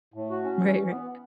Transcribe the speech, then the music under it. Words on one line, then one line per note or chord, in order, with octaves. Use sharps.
Right, right.
A2
F#4
C#4
E3
E3
B3